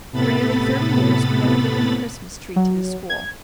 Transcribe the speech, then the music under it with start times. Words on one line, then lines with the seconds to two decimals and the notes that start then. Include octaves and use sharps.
For nearly thirty years we have given the Christmas tree to the school.
0.11 A2 C3 A3 B3 B5 A6
2.56 F#3
3.10 G#6